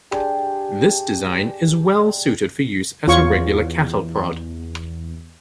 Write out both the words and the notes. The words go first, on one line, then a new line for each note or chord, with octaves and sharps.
This design is well-suited for use as a regular cattle prod.
D4 G4 G#4 C6
E2 F4 C#5 C#6